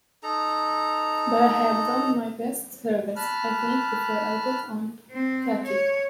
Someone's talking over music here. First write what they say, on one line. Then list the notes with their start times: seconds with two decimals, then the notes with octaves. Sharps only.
But I had done my best service, I think, before I put on khaki.
0.23 D#4 A4 A#5
3.16 A5 B5 F6 F#6
5.10 C4
5.65 C#5